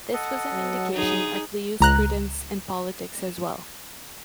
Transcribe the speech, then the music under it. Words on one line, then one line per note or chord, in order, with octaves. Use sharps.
This was an indication of Liu's prudence in politics as well.
A4 D#5 F#5
F#3
D3 D#4 G#4
C#2 A#5 F#6